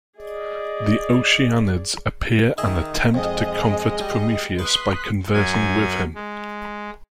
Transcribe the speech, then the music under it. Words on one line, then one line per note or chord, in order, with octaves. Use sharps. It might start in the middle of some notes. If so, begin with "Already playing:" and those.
The Oceanids appear and attempt to comfort Prometheus by conversing with him.
G#4 D5 D#5
D#3 G#4 D#5 E5
F2 G#3 D#5
G3
B4 C6 D#6 F#6 B6
F#2 F#3 G#5 G#6
G#3